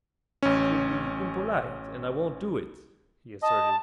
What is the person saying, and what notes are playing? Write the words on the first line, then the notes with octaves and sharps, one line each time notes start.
"It would be impolite, and I won't do it," he asserted.
A1 C#4
D#5 A5